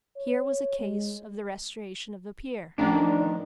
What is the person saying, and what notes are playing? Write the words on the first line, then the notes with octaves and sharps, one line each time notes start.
Here was a case of the restoration of a peer.
C#5
G#3
A1 A2 F3 D4 A#5
D#3